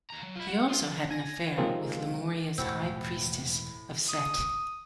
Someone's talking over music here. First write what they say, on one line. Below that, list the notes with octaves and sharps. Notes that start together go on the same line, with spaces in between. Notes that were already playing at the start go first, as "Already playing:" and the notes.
He also had an affair with Lemuria's High Priestess of Set.
D#2 A#5
F#3
F4 B5
F#5
F4 C6
F3
G#5 A#6
C3 D#3 F3 G#3 A#3 C4
E1 D#2 A2 F#4 G4 C5 E6
D#6